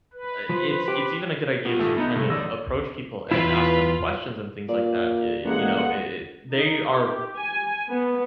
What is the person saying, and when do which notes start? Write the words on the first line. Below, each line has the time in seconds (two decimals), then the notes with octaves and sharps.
uh, it's it's even a good idea to kind of approach people and ask them questions and things like that, ya uh, you know, i it they are
0.13 B4
0.49 F3 C5
0.88 G4
1.65 B3 F4 G4
1.79 G#1 A3
1.97 A3 B3 D#4
2.15 G2 C3 A4
2.30 G1 E3 D5 E6 A#6
3.31 E2 C#3 E4 F4 B4
4.68 A#2 D5
5.45 A1 G#3 A#3 F#5
6.53 D#4
6.91 G4
7.37 G#5
7.89 B3